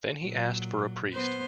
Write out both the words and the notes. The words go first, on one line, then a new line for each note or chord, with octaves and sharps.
Then he asked for a priest.
A#2 F#3
B3 C5